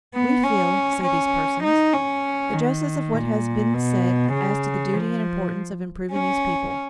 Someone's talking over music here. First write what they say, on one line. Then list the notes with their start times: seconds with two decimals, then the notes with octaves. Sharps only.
We feel, say these persons, the justice of what has been said as to the duty and importance of improving these people.
0.14 B3
0.44 C#4
1.03 C#4
1.64 D#4
1.93 C#4
2.53 D#3
3.13 A#2
3.74 B2
4.33 C#3
4.93 F3
6.13 C#4